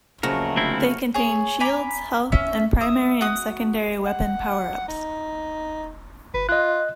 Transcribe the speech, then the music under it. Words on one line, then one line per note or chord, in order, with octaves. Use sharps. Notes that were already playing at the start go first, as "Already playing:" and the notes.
They contain shields, health and primary and secondary weapon power-ups.
F2 C#3 F#3 A3 A#3 F#4 A#4
D2 C4 E4
G#4 C#5
G#5 A#5 B5 D6
C#4 E5
E5 D#6
F#4 D#6
F#5
D#4
G1 B4
F4 D#5 F#6